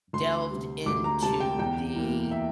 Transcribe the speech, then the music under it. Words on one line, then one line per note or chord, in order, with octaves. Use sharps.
delved into the
D2 C6
C3 G3
D2 D6
A#5
C3 G3 A5
G5
E2 G5
E3 A#3
E5